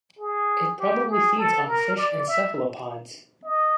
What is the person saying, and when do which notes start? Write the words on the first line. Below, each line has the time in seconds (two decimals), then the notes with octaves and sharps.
It probably feeds on fish and cephalopods.
0.19 G#4
0.79 G4
1.09 G#4
1.38 A4
1.67 A#4
1.97 D5
2.27 E5
3.45 D#5